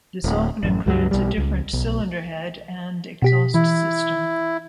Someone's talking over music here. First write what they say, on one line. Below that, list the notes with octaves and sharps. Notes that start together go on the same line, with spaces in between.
This often includes a different cylinder head and exhaust system.
D1
A1 F#2
C#2 G2 F3 F#3
B1 G3
C#2
B1
B2 G4 B6
E3 E4